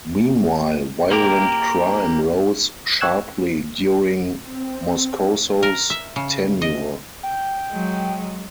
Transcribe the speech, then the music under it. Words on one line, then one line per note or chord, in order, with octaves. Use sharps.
Meanwhile, violent crime rose sharply during Moscoso's tenure.
A#3 G4 A#4
G5 C#6 E6 F#6 G#6 E7
C4
A#4
E5
C#3
D#5
G5
F#3 G#3